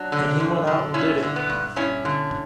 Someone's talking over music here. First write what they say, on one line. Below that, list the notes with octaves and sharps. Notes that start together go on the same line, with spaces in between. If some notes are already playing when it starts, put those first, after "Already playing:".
And he went out and did it.
Already playing: F#3 D4
D3
F#2
D3
G2 C#4 E4
D3
B3
G2
G2 C#4 E4
D3